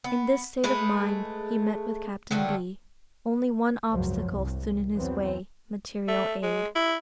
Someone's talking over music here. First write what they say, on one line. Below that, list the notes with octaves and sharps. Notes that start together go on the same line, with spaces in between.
In this state of mind he met with Captain B. Only one obstacle stood in his way--material aid.
B3
G#3 A3 B4
D3 D#3 F#3 A3
G#1 C#2 F#2 F3 F#3
C2
E2 E3 F#3 B3 C4
A3
G#3
E4